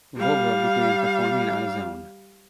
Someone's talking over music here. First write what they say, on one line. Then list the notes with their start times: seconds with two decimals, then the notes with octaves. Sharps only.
Vova began performing on his own.
0.16 G3 F5